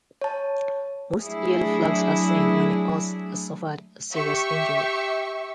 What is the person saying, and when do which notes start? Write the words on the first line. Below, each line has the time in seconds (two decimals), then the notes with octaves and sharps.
Most yellow flags are seen when a horse has suffered a serious injury.
0.21 C#5 A5
1.23 F#3 A3 D4 E4 G#4
4.12 G4 E5 C#6